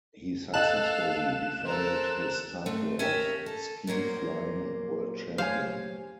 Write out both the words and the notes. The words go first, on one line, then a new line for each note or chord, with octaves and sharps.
He successfully defended his title of Ski Flying World Champion.
A4 D#5 F5 A5 F#6 E7
A4 A#4 C5
A3 C4
C#4 G4 A#4 E5
A4
A#2 F#3 A#3 C5
F#3 A3 G4 C5 C#5 F5 G#5